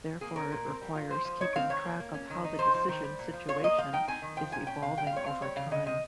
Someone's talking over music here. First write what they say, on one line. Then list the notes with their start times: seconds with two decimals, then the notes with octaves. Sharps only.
Therefore, it requires keeping track of how the decision situation is evolving over time.
0.21 A#3 G#4
0.36 C#4 A#4
0.52 A#2
0.66 C4
0.81 G3
0.96 F4
1.10 F3 C5
1.25 F3
1.40 D#4 C#5
1.56 C4 F5
1.70 D#3 C#5
1.85 A#3
2.00 A#3
2.14 C#4
2.30 D#3
2.44 D#4
2.59 F3 C5
2.74 F3
2.89 D#3
3.03 G3
3.19 A#2
3.34 F3
3.48 F4 C#5
3.64 A#3 D#5
3.78 F3 F5
3.93 D#4 G5
4.07 C4 G#5
4.22 D#3
4.37 F3 G5
4.52 A#2 G#5
4.67 C#4 G5
4.82 C3 F5
4.97 G3 G5
5.07 F5
5.12 F4 C#5
5.26 C4 F5
5.41 G3 C#5
5.56 C#3 F5
5.71 C#3 D#5
5.86 C3 D#5